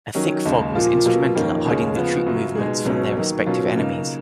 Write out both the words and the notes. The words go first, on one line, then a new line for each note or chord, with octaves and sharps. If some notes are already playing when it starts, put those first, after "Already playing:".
A thick fog was instrumental at hiding the troop movements from their respective enemies.
D#3 F#3 C#4
D#2 C#3 G#3
A#2 F3 A#3 F4
B2 F#3 A#3 F4
F2 D#3 A#3 C#4 F4
D#2 C#3 G#3 C#4 G#4
C#3 F3 B3
F#2 C#3 F#3
B2 G#3 D#4 G#4
C#2 B2 F#3 C#4
D#3 F#3 A#3
B2 F#3 C#4 F4
C#3 F#3 A#3 D#4